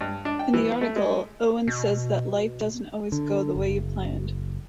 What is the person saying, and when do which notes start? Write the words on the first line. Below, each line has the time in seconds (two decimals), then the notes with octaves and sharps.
In the article, Owen says that life doesn't always go the way you planned.
0.01 G2
0.25 D4
0.39 G5
0.54 E3
0.81 A3
0.96 G#3
1.67 B2
3.12 D3
3.56 F#1